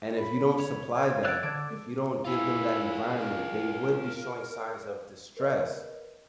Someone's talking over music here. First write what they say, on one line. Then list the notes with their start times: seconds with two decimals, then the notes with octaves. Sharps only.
and if you don't supply that, if you don't give them that environment, they would be showing signs of distress,
0.18 B5
0.60 C#5
0.96 C6 G#6
1.24 C#5 E6 F#6 A6 D7
1.43 D3 D6 E6 D7
2.25 E4 F4 G#4
3.20 A#4
5.37 A#4 B4 D#5